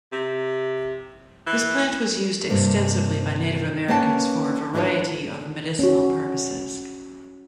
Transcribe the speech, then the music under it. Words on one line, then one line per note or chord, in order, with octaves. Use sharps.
This plant was used extensively by Native Americans for a variety of medicinal purposes.
C3
E3
G2 C3 A#3
A#3 C#4 B4 G5 A5
D4 E4 F4 G#4 B4 C#5
C#4 F#4